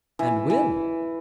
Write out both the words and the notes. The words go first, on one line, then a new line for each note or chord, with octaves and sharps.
"And will?"
E3
E3